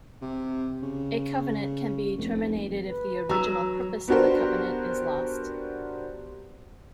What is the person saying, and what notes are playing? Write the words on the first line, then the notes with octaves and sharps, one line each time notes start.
A covenant can be terminated if the original purpose of the covenant is lost.
C3
C#3
F1
B4
F#3 A#5 E6
B3 D4 F#4 G4 A#4 C5